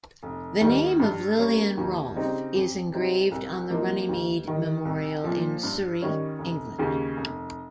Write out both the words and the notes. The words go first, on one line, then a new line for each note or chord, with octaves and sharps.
The name of Lilian Rolfe is engraved on the Runnymede Memorial in Surrey, England.
F1
D#2 D#3 G3
G2
G3 A#3 C#4
D#2
C#3 G3 C4 D#4
F2
C3 G3 C4 D#4
C2
C3 F3 A#3 D#4
D#2
D#3 G3
C2
A#2 F3
G2
D#3 G3 C#4
F1
D#2 C#3
F1